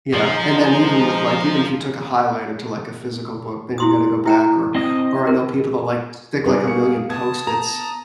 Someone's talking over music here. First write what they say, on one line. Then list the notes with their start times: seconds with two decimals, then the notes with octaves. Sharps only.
yeah, and then even with, like, even if you took a highlighter to, like, a physical book, then you gotta go back or or I know people that, like, stick, like, a million Post-its,
0.14 F3 G#3 D#4 D#5
3.78 E4 C6 D#6
4.26 E4 G5 A#5
4.75 C4 D#5 D#6
5.27 A#4
6.46 G3 B3 D4 D#4 G4 G#4
6.63 A#3 C#6 C#7
7.10 B3 A5 D#6 G#6
7.47 A#5